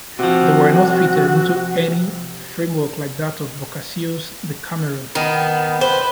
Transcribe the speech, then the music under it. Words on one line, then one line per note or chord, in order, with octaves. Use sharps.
They were not fitted into any framework like that of Boccaccio's "Decameron".
C3 F3 F#4
D#3 B3
B4 C5